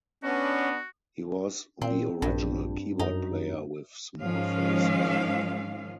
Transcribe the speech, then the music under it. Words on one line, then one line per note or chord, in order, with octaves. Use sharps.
He was the original keyboard player with Small Faces.
B3 C#4 D4 F#4
A#2 C4
A#1 G2
F#2 D#4
G#2 D#3 F3 G#3 C#4 F5